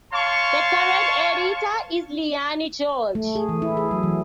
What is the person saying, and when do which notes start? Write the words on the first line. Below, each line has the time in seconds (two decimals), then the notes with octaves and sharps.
The current editor is Lianne George.
0.13 C#5 F5 A5 C6 C#6
3.15 A3
3.35 G#4
3.49 E3
3.62 E4
3.77 G#4
3.91 F#3
4.03 E3